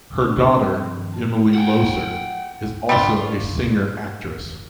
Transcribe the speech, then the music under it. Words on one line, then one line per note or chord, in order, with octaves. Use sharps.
Her daughter, Emily Loesser, is also a singer-actress.
D4
G#4
C4
F3
G2
D#3
A5
F#5 G5
G3 A3 D4 F4